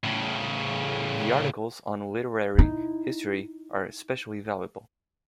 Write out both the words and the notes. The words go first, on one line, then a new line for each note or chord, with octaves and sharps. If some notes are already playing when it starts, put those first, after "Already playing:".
The articles on literary history are especially valuable.
A2 C#3
D#4 E4